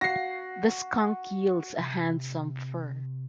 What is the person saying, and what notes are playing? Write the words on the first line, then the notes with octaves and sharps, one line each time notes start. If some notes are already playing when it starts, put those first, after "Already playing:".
The skunk yields a handsome fur.
F#4 A#6 C7
C3